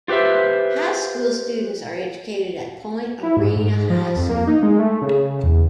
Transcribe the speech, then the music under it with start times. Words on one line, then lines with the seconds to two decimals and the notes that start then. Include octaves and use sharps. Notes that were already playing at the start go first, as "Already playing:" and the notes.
High school students are educated at Point Arena High School.
0.08 F4 G4 B4 C5 E5
3.23 E4
3.37 G#2
3.56 G#2
3.90 F3
4.16 F2
4.29 A#3
4.47 D#4
4.63 G#3
4.79 A3
5.02 C#3
5.44 E2